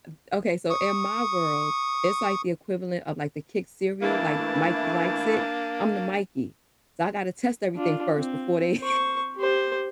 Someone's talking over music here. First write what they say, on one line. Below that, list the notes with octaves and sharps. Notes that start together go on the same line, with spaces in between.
Uh, okay, so, in my world, it's like the equivalent of, like, the Kix cereal. Like, Mikey likes it. I'm the Mikey. So I gotta test everything first before they
C#6 D#6
E3 A3 A#3 D4 E4 A5
D4 F4
C4
C5 C#6
G4 C5